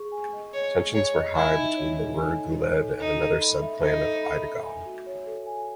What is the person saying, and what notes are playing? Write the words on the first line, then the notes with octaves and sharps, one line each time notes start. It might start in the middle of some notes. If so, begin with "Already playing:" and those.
Tensions were high between the Rer Guled and another subclan of Eidagale.
Already playing: G#4 C#6
G#5
D#5
C#5 C#6
G#4
C#5 G#5
D#5
E4 G#5
D#4
C#5
A4
G#5
D#4
C#5
A4
D#4 A4
A4
B5
E5
D#4 A4
A4
B5
E5
G#5
F#4
C#5
A4
G#5